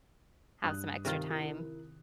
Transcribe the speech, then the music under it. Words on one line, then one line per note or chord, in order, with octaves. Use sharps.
have some extra time,
G2 D#6 F#6
C3 D#3 F4
E4 A#4